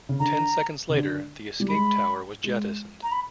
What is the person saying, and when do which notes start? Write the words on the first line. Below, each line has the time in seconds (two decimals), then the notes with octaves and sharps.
Ten seconds later, the escape tower was jettisoned.
0.09 C#3
0.20 D3 A#5
0.89 C#3
0.94 D3
1.60 G3
1.69 G#3 B5
2.44 G#3
3.03 A#5
3.12 B5